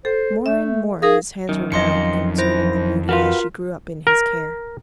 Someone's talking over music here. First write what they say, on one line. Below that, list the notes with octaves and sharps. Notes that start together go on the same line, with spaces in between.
More and more his hands were bound concerning the beauty, as she grew up in his care.
A4 C5
A3 E5
D#4 G#4 A#4 F5
F#2 D#3
F2 D#5 C6 C#7
E4 C5 A#6
F4 F#4 A#4 B4 F5
A#4